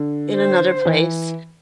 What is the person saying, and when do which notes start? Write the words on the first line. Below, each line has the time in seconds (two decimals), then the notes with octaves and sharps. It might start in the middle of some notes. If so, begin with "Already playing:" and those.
in another place.
Already playing: D3
0.34 C5
0.85 E3